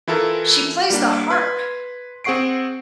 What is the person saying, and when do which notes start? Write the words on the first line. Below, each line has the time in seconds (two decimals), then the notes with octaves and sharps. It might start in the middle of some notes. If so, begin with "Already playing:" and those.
She plays the harp
0.08 E3 E4 F4 A4 A#4
0.90 G3 A#3 D4
1.30 B4 C6 G#6
2.24 C4 G#4 F#5 C#6 C7 D7